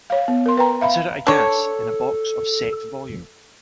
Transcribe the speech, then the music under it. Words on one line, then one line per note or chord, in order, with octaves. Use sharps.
Consider a gas in a box of set volume.
C#5 F5
B3
A#4 C6
B4 G5 A#5
E5 F5 B5
D4 A4 C#5